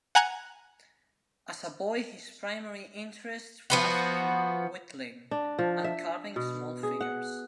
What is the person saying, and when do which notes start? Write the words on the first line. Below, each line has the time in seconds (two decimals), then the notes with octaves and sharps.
As a boy his primary interest was in whittling, and carving small figures.
0.15 F#5 G#5 A#5 F#6 G#6
3.70 F3 B3 F#4
5.31 D4
5.59 F3
5.84 E5
6.36 B2
6.83 G#4
7.01 F#5